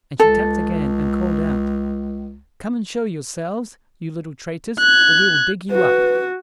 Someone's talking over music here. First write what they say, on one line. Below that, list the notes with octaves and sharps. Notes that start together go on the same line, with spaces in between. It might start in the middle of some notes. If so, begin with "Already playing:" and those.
And she tapped again, and called out, "Come and show yourselves, you little traitors, or we will dig you up!"
C#2 A4
F#6 G#6
F#4 B4